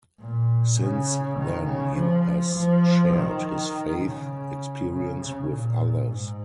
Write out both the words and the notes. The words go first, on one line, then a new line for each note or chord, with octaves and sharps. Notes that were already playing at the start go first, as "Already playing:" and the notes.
Since then, he has shared his faith experience with others.
A#2
C#3
D#3
C#3
F3
F3
D#3
C#3
C#3
C#3
A#2
G#2